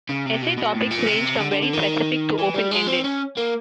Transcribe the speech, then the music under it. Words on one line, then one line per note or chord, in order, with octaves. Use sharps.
Essay topics range from very specific to open-ended.
C#3
C3
B2
B2
A2
A#2
C3
D3
D3
D3
D#3
E3
G3
G#3
C4
C#4
A#3